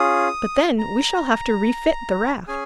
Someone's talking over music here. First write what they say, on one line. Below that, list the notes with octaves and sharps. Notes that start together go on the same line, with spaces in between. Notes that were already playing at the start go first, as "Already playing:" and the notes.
"But then we shall have to refit the raft."
Already playing: C#4 F4 G#4 D#6
A#5
C#4 G#4 G#5